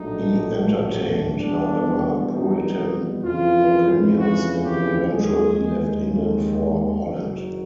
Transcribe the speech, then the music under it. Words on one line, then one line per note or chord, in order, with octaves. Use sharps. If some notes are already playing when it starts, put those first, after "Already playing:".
He entertained, however, Puritan opinions and eventually left England for Holland.
Already playing: A#1 A2 F#3 A3 D4 D#4
E2 B2 G3 D4
D#4
F2 C#3 E3 F4
F#4
G4
D#2 D#3 G#3 G#4
F#1 F#2 D#3 F#3